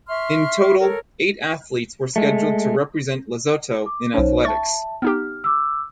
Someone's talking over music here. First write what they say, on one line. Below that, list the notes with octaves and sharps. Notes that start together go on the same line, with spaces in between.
In total eight athletes were scheduled to represent Lesotho in athletics.
E5 C6 C#6 F6
A4 A#4 C#5
G#3 A3
D6
B1 C#4 D#4 C5 C#5
E5 A5 C#6 A6
B3 D#4 G4 F6
D6 E6